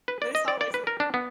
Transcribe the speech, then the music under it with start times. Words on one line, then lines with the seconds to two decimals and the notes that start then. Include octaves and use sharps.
But it's always
0.08 B4
0.22 D5
0.35 D#5
0.48 D5
0.61 D5
0.74 B4
0.87 A#4
1.00 D4
1.14 B3